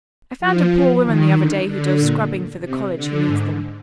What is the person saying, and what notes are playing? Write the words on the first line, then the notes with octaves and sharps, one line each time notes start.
I found a poor woman the other day who does scrubbing for the college who needs them.
F3
F3
D#3
D3
D3
A#2
C3
D3
G#2